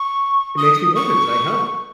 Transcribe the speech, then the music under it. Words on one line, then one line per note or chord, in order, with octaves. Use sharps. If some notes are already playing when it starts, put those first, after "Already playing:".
It makes me wonder, "Did I help?"
Already playing: C#6
D#6
C#6